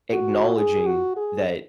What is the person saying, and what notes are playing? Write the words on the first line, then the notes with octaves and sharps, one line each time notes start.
acknowledging that
F#4
G#4
F#4
G#4